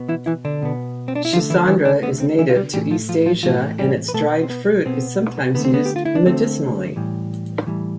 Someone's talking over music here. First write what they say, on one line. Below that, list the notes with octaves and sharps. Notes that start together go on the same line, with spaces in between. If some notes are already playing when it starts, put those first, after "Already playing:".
"Schisandra" is native to East Asia, and its dried fruit is sometimes used medicinally.
Already playing: B2 B3
E3 E4
E3 E4
D3 D4
B2 B3
C4
D4
E4
D3 F3 A3 F4
E3 E4
E3 E4
D3 D4
D3 A3 B3
C4
E3 E4
F4
G3 G4
A2 E3 G3 A3 G4
F3 F4
F3 F4
F3 F4
A2 E3 F3 A3 F4
G3 G4
B4
B2 A3 B3 A4
C4
B3
B2 B3 C4
D3 A3 B3
C4
B3
G4
F4
E4
D4
D3 A3 C4
A2 E3 G3
A2 E3 G3